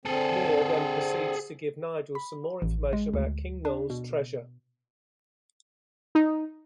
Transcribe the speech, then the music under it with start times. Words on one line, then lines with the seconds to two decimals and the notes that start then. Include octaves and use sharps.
Mir then proceeds to give Nigel some more information about King Nole's treasure.
0.05 D3 C4 G#4 A4
2.15 B5
2.62 A1
2.93 G#3
3.14 D2
3.65 D4
3.90 B2
6.15 D#4